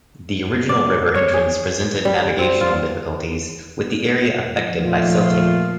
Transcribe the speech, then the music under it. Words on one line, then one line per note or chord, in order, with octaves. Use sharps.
The original river entrance presented navigational difficulties, with the area affected by silting.
D5
C#5
G#4
G3
C4
F4
F3
A#2 A3 F4